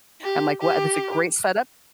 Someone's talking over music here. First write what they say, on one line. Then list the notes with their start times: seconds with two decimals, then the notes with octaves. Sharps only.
I'm like, "What this is a great setup."
0.24 G4
0.62 G4